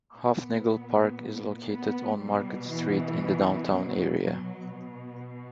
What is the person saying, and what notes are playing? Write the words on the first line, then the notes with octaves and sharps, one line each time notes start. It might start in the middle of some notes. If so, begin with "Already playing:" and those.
Hufnagle Park is located on Market Street in the downtown area.
A#2 B3
B3
B2 G3
E3
F#3
B2 F#3